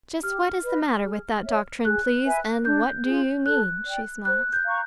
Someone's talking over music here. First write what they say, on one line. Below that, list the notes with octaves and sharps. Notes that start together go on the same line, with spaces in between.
"Just what is the matter with that doctrine, please, and what do you mean?" she smiled.
G4 F6
B4 D#5
G#4
C#5 E5
G#4 F#6
B4 E5 G#5
D4 G6
F4 G#4
A4 F#6
D5 G5
C5 F#6
G6
F5 A#5 C#6